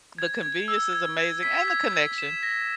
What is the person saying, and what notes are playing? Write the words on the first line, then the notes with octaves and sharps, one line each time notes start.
The convenience is amazing, and the connection.
G#6
G#6
E6
G#6
G#6
B6
G#6
G#6
E7
A#6